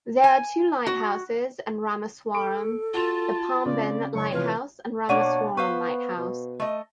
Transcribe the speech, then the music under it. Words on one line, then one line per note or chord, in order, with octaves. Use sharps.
There are two lighthouses in Rameswaram, the Pamban lighthouse and Rameswaram lighthouse.
G#5
F#4
A4 C#6 D7
F4 F#4 A5 A6 F7
C#3 C4 D5
F#1 C#5 C#6
C3 E3 F4 B4 F6
B2 A#3 D4 C#5 D5 F#5 D#7
B3 B4 C5 F5 C#6
B2
A3 D#5